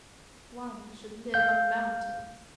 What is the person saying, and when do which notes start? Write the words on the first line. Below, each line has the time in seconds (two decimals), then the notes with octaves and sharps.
One should live on mountains.
1.34 F5 G6